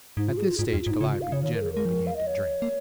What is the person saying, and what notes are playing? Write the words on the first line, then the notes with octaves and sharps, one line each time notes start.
At this stage Calliope generally began to drink.
G#2 D#4
F4
G#4
F4
G#2 F4
F4
F2
F4
G#2
D#4
C#3 F4
F4
F5
C#3 C#5
D#3 C#5
A#4
G#4
G#3 A#4
F3
F5
D#5
C#5
A#3